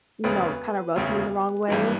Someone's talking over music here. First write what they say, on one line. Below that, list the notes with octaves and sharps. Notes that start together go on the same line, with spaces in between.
you know, kinda rubs me the wrong way.
E1 D2 C#3 B4
E1 D2 C#3
G#1 G2 E3